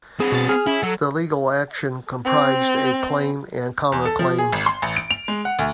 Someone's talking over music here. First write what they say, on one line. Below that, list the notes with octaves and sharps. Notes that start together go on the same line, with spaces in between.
The legal action comprised a claim and counterclaim.
C4 G#4 B4
B2 A6
G#4 F6
C#4 E4
F#3 A4
C4
E2
A4
F3
G#4
G#1
C6
A1
D7
F7
G#3
F#5
D2